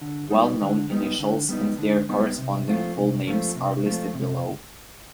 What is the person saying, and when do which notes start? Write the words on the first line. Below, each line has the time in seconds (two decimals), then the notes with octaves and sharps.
Well-known initials and their corresponding full names are listed below.
0.01 D3
0.30 G3 B3 D#4
0.61 D3
0.90 G3 B3 D#4
1.20 D3
1.49 G3 B3 D#4
1.78 D3
2.09 G3 B3 D#4
2.38 C3
2.68 F3 A3 C4 F4
2.96 C3
3.27 F3 A3 C4 F4
3.56 C3
3.85 F3 A3 C4 F4
4.15 C3